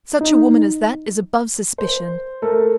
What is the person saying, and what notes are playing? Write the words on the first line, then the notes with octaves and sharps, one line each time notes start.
Such a woman as that is above suspicion.
D#4
C5
A3 A4 A#4